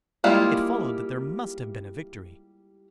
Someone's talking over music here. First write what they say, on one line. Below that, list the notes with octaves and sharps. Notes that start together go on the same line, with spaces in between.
It followed that there must have been a victory.
G3 G#3 A#3 E4 F4